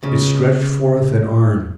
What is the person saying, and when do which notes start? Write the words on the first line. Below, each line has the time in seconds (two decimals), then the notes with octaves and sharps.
It stretched forth an arm.
0.03 C#2 C#3